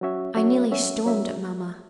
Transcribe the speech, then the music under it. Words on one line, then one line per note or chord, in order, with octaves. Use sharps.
I nearly stormed at Mamma.
F#3 C#4 F#4 C#5 E5
F#3 C#4 F#4 C#5 E5
F#3 C#4 F#4 C#5 E5
F#3 C#4 F#4 C#5 E5